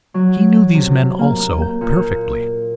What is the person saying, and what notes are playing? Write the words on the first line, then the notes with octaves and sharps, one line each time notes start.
He knew these men, also, perfectly.
F#3
C3
A#3
G6
A#2